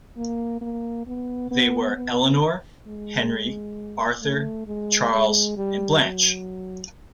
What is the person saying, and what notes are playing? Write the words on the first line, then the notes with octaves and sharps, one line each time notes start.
They were Eleanor, Henry Arthur, Charles, and Blanche.
A#3
A#3
B3
B3
B3
G#3
A3
G#3
G#3
G3
F#3